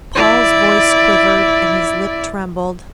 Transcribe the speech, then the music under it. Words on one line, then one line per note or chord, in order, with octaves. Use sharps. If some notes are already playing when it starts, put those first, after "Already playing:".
Paul's voice quivered and his lip trembled.
E4 D5